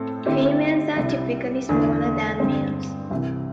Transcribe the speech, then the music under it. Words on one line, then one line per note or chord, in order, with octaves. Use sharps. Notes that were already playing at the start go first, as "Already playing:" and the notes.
Females are typically smaller than males.
Already playing: A2 C4 A4
D3 C4 E4 G4
C2 C3 G3 E4
E2 D3 A3 D4
G2 D3 C4
C2 C3 E3